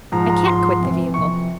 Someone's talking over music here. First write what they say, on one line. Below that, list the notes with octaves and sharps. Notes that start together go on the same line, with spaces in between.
"I can't quit the vehicle."
G#2 F3 A#5
A#5
G#2 F3 C6
F2 C3 E3
F2 C3 E3 C#6